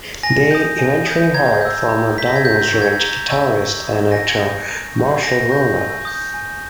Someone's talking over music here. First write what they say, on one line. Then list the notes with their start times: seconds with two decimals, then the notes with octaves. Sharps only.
They eventually hired former Dino's Revenge guitarist and actor Marshall Rohner.
0.23 G#5 A#6
0.51 D#6 G6
0.79 G#5
1.06 D#6 G6
1.34 A#5 G#6
1.61 E6 G6
1.89 A#5
2.17 E6 G6 B6
2.28 A#6
2.36 G#6
2.45 A#5 G6
2.63 G#6
2.73 C#6 E6
2.82 G#6
3.01 A#5
3.29 C#6 E6
3.56 G#5
3.84 D#6 G6
4.11 G#5 A#6
4.40 D#6 G6
4.67 G#5
4.94 C#6 G6
5.23 G#5 A#6
5.50 C#6 G6
5.77 G#5
6.05 D#6 G6
6.34 G#5